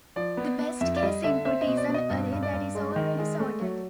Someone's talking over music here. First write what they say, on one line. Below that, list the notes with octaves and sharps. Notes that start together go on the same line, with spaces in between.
The best case input is an array that is already sorted.
F3 D5
B3
B3
F2 E5
D5
G3 D#5
D3 E5
C4 E5
D#5
B2
D5
B2 D5
D#5
G2
G2
D5
G2
G#3
D#3
G#3
A3
F#3